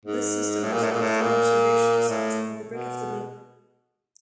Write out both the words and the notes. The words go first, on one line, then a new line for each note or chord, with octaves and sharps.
This system was built from observations of the orbit of The Moon.
G#2
A2
A#2
A2
A#2
A2
A#2
A2
B2